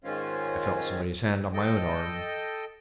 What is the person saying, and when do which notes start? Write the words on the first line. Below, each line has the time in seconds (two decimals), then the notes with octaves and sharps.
I felt somebody's hand on my own arm.
0.04 G#2 D#3 G#3 C4 C#4 F4
1.54 A4 D#5 G5